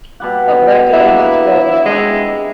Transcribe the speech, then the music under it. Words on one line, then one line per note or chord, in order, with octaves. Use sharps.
A variety of evils crossed his mind.
B2 G3 F#5
A#3 B3 D4 E4
C3 G#3 E4 E5